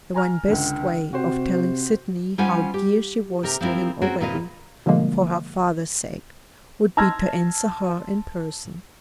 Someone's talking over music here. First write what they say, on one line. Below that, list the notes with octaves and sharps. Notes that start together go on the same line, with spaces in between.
The one best way of telling Sydney how dear she was to him already, for her father's sake, would be to answer her in person.
G#5 A#5 F6
C#2 D3
C3 F#4 G4 C5
G3 C#4 F4 C5 F#5 G#5
G4
C3 G4 A#4
F3 C4 E4 F4 A#4
C4 C#4 F#4 G#4 A#4
D#2 A#2 C4 F4 B4 D#5
B2 D3 F3 G3 G#3 A#3
A5 C6 E6 F6 G#6 A#6